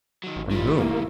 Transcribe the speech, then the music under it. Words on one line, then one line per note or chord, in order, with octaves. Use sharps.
From whom?
D#3 F#3
A1
D#3 G3 F4
A#3 E4